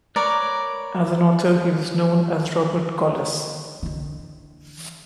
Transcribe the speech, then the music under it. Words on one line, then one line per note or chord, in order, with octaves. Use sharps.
As an author he was known as Robert Collis.
A#4 B4 C#5 D5
D3 E3